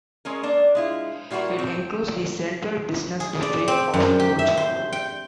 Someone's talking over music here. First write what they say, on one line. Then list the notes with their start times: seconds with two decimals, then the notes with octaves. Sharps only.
It includes the central business district of Bochum.
0.25 G#3 C#4 A#4
0.43 A#3 D4
0.75 G#3 E4 F4
1.30 A#2 G3 E4 F#4 A#4
1.58 C4
3.20 G#4
3.43 D5
3.68 C4
3.94 F#2
4.20 G4
4.39 E5
4.57 C5
4.93 G5